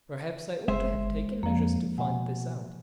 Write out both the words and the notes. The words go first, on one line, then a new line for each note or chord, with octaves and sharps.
Perhaps I ought to have taken measures to find this out.
F#1 G#3 C5 E5
G1
F2 F3 A#3
B2 F#5 G#5